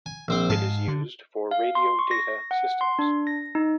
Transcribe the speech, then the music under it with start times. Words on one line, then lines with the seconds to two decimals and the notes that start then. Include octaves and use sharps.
It is used for radio data systems.
0.06 G#5
0.28 A#1 C4 C5
0.50 G#2 F5 A5
0.88 D3
1.51 F5
1.75 C6
1.99 C#6
2.11 A#6
2.51 F#5
2.81 C6
2.99 D4
3.27 A#6
3.55 D#4